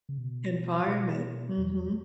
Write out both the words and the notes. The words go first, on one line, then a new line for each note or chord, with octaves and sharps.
Environment, mhm.
C#3
B2
B2
E2